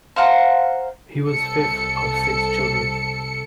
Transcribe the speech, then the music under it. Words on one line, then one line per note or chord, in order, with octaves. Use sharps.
He was fifth of six children.
C5 F5 F#5 A#5
C2 A4 C#7